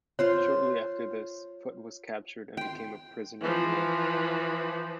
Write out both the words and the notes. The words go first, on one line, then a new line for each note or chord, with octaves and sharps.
Shortly after this, Foote was captured and became a prisoner of war.
F4 C5 C#5 C6
G5 C6
E3 F3